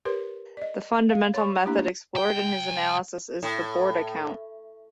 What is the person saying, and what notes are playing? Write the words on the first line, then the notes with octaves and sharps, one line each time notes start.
The fundamental method explored in his analysis is the Borda count.
G4 A#4 B4 C#5 C6
D5 D#5
F5
C#5 C6 C#6
A3 A#3 D4 E4 G4
C2 G5
A2